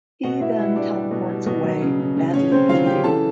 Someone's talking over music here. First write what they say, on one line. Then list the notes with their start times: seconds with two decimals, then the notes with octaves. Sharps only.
He then teleports away, badly bleeding.
0.23 B2 F#4 F#5
0.41 B2 E4 E5
0.58 G3 E4 E5
0.76 G3 D4 D5
0.94 G3
1.11 B2
1.29 G3
1.46 B2
1.64 F#3
1.81 C#3
1.99 C#3
2.17 C#3
2.33 C#3 C#4 C#5
2.51 C#3 C4 C5
2.68 F#3 F4 F5
2.86 C#3 G4 G5
3.04 E3 A4 A5